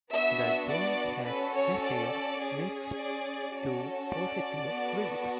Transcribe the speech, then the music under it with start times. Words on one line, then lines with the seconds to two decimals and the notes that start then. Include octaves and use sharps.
The game has received mixed to positive reviews.
0.11 B3 D4 F#4 E5
0.69 D5
1.25 C#4 F#4 A4 B4
1.53 C#5
1.83 D5
2.40 C#4 G#4
2.97 D5
3.54 C#4 F#4 A4
4.11 D5
4.68 B3 F#4 A4